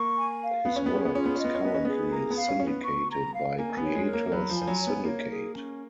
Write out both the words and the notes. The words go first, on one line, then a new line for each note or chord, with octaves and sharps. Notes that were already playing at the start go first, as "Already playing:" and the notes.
His work is currently syndicated by Creators Syndicate.
Already playing: A#3 C#6
G#5
F5
B3 B4
C#4
B3 G#4
C#4
B3
C#4 F4
B3
C#4 D#5
B3
C#4
B3 B4
C#4
B3 G#4
A#3 A#5
B3
F5
C#4
C#4 B4
B3
C#6
A#5
F5
A#3 G#5
B3 C#5
G#3
A#4
A#3
F#3 B5
F3
G#5
F3
F#3
C#5
B3
A#3 C#5
G#4
C#4